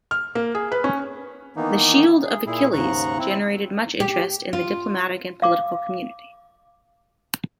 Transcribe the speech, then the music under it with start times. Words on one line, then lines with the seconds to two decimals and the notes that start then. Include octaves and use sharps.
"The Shield of Achilles" generated much interest in the diplomatic and political community.
0.11 F6
0.35 A#3
0.55 G#4
0.72 B4
0.84 C#4
1.56 D#3 E3 A#3 B3 D#4
2.25 G#4
2.47 A#2 E4 G#4
2.73 D#2 G#2 C#3 A#5 C#6 F#6
3.18 C4 E4
4.00 G4
4.53 F4
5.42 F5 D6